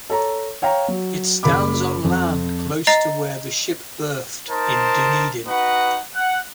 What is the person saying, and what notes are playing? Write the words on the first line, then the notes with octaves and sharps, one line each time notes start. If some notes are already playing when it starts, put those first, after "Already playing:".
It stands on land close to where the ship berthed in Dunedin.
A4 C#5 A#5
C#5 F5 G5 A#5
F#3
F#1 A#3 B5 D6
F2
D#5 A#5 A6 C7
D#4 A#4 C5 A5
D#4 F#4 B4 F#5
F#5